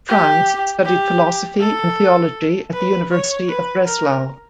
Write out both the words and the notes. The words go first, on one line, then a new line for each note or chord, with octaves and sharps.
Franz studied philosophy and theology at the University of Breslau.
G4
G4
A4
B4
C#5
B4
A#4